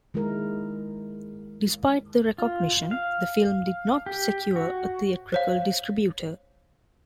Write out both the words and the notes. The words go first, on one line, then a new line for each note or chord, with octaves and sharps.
Despite the recognition, the film did not secure a theatrical distributor.
D#3 G#3 E4 A#4
F4
F5
G4
F#4
C5 C#5 F5